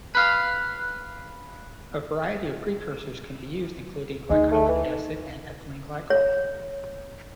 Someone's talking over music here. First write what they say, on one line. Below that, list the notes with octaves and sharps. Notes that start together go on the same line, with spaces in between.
A variety of precursors can be used including glycolic acid and ethylene glycol.
B4 F5
D2 G#3 D#4
A3
E3
C#5